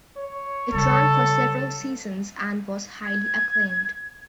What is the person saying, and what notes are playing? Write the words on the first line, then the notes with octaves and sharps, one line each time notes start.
It ran for several seasons and was highly acclaimed.
C#5
C#3 G3 A4
G#6